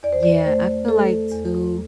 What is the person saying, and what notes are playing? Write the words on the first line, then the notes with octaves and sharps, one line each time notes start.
Yeah, I feel like too,
E2 D5
C5
D5
A3 C5
A3 A4
E2